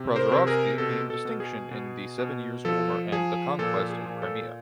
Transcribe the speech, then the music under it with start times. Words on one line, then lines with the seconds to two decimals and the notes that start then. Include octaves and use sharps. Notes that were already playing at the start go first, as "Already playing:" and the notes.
Prozorovsky gained distinction in the Seven Years' War and the conquest of Crimea.
Already playing: C3
0.15 A#4 C5
0.32 C3
0.47 G#4 A#4
0.78 B2 A4
1.10 A4
1.25 B2
1.40 G#4
1.71 B2
2.19 B2
2.65 F3 A4
3.12 F3 G#4
3.59 A#2 A4
3.90 G#4
4.06 A#2
4.22 A4